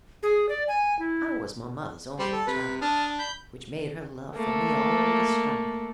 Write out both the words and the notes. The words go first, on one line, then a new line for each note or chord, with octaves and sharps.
I was my mother's only child, which made her love for me all the stronger.
G#4
D5
G#5
E4
G3 C5
A4
C3 B4
D4 A5 D#6 F6
B5 G6
A3 A#3